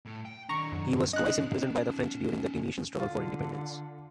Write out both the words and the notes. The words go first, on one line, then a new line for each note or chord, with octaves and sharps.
He was twice imprisoned by the French during the Tunisian struggle for independence.
A2
G5
D#3 D4 A#5 C#6
F#2
C#4 D#4 D#5 F#6
D3 F4